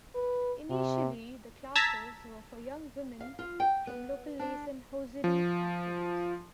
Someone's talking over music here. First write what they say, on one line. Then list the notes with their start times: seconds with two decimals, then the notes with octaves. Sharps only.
Initially, the classes were for young women from local lace and hosiery factories.
0.15 B4
0.70 C3
1.75 A5 A#5 E6 G#6 B6
3.20 F5
3.39 F4
3.60 G5
3.87 B3
4.39 D4
5.24 F3